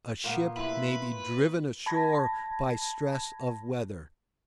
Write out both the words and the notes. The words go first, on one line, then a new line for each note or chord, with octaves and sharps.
A ship may be "driven ashore" by stress of weather.
A#2 A#3 B3
E4 B4 B5 C6
A5 B5 G#6 A#6